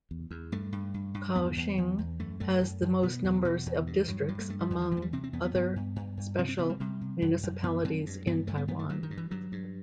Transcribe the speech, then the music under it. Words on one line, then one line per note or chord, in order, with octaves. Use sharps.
Kaohsiung has the most numbers of districts among other special municipalities in Taiwan.
E2
E2
G2 A3
G2
G2
G2
E2 B3
E2
E2
E2
F#2 A3
F#2 A3
F#2
F#2
B2 B3
E2
B2
E2
G2
G2 F#3
G2 F#3
A3
G2 A3
G3
E2 E3
E3
E2 F#3
A3
G3
C3 C4
C4
E2 B3
B3
G2 B3
G2
G2
G2
C3 C4
C4
C3 B3
G3
C3 G3
C3
F#2
F#2
F#2 B3
F#2 C4
G2
G2 B3
G2 A3
B3
G2 B3
A3
G2 F#3
D#3
G2
E3
G2 F#3
G2